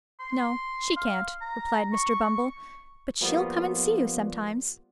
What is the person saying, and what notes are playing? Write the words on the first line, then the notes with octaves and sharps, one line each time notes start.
'No, she can't,' replied Mr. Bumble. 'But she'll come and see you sometimes.'
C6
F5
A#5
C#6
F3 G3 A#3 B3 F4